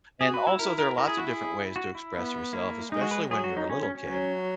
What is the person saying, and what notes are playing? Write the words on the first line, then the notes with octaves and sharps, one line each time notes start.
and also there are lots of different ways to express yourself, especially when you're a little kid.
F#4 G#4
B4
E4
E4 A#4
A#4
E4 A#4
G#4
F#4
G#4
F#4
E4
B3
A#3 E4
G#3 D#4
F#4
B4
F#3 G#4
F#4
D#4
C#4
C#4
C#4
F#3